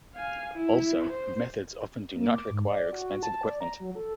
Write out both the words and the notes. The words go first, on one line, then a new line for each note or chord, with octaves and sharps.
Also, methods often do not require expensive equipment.
F5 G#5
E4
C5
A#3
D6
G#2
D5
F#4
A5
D5
A#5
F#3
A4